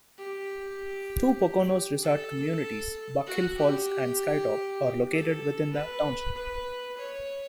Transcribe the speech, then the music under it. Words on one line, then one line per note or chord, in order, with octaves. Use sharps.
Two Poconos resort communities, Buck Hill Falls and Skytop, are located within the township.
G4
A4
F#4
G4
A4
B4
B4
C#5